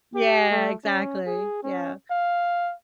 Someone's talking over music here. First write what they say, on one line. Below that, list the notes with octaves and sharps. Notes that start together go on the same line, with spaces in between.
Yeah, exactly. Yeah.
G4
A3
C#4
G#4
C#4
F5